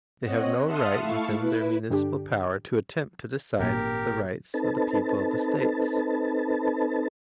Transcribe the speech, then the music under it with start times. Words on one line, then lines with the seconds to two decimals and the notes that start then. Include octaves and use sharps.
They have no right within their municipal power to attempt to decide the rights of the people of the States.
0.23 C4 C#5 D#5 F#5
0.64 E5 F#5 A5 C6 D#6 F6
1.00 A3 E4 F5 A5 C#6 A6
1.37 E4 B4
1.90 G2 D3 D4 G4
3.59 G#1 A#2 G4 A#4
4.54 C4 D#4 A4 B4 A5